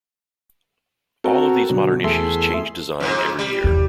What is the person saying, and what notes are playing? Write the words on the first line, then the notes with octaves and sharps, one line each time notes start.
All of these modern issues changed design every year.
C4 F#4 A4 A#4
B2 D3 F#3
E2 A3 G#4 A4 E5 C6
F2 G#2
G3
E2 C3